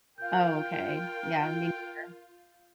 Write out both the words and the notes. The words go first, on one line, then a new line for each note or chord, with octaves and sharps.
Oh, okay. Yeah. Mean girl.
F4 A#4 F5 G5 G6